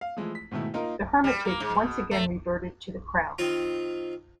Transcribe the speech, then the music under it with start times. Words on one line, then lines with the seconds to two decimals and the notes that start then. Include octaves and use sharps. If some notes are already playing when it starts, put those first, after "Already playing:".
The Hermitage once again reverted to the Crown.
0.01 F5
0.17 E3 F3 G#3 A3 E4
0.35 B6
0.51 G#2 B2 D#3 A3 E4
0.74 A#3 D#4 F4 A#4
1.24 G3
1.45 A#3
1.60 G#2
1.75 B2
2.11 A3
3.38 D#3 C4 F4